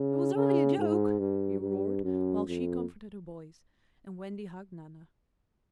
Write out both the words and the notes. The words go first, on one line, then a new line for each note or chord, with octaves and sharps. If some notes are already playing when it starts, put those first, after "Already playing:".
"It was only a joke," he roared, while she comforted her boys, and Wendy hugged Nana.
Already playing: C#3
C#3
G#2
G2
G2
F#2
F2